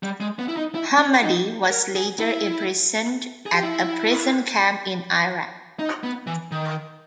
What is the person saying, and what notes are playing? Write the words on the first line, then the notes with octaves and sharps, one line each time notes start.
Hammadi was later imprisoned at a prison camp in Iraq.
G3
G#3
B3
E4
D#4
E4
C#4
D#4
A#4
G#4
E4
G#4
G4
E4
D#4
B3
E3
D#3